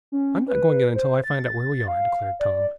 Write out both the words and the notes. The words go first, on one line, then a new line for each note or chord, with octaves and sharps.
"I'm not going in until I find out where we are," declared Tom.
C#4
B4
C5
A6
F5
D5